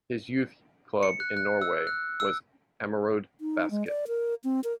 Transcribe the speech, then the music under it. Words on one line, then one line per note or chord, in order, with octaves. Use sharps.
His youth club in Norway was Ammerud Basket.
C#7
F#6
F#6
E6
F#6
E6
D#4
G#3
D5
A#4
C4
A#4